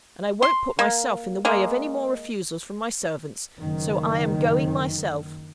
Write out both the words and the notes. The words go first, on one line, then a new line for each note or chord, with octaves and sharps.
And I won't put myself in the way of any more refusals from my servants, so I am going myself.'
C6
A#3
G#3 A#3
F#1 D#3